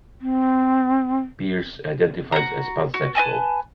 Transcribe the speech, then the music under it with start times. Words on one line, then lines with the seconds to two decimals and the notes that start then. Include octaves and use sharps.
Pearce identifies as pansexual.
0.22 C4
2.32 F#4 A#5
2.94 F#4
3.15 B4 D#5 G#5 A5